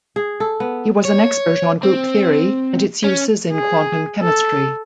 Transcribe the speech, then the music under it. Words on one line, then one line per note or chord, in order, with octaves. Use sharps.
He was an expert on group theory and its uses in quantum chemistry.
G#4
A4
B3
C#5
C4
C#4
G#4
A4